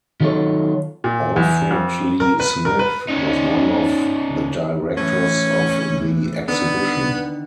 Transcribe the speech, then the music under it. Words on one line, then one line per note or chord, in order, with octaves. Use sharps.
Alfred Lee Smith was one of the directors of the exhibition.
D#3 F#3 F4 G4 A4 C#5
A#2
E2
F2
A#4
B4
A#4
B4
C#4 D#4
A2 E3 C#4
D3 D#3 B3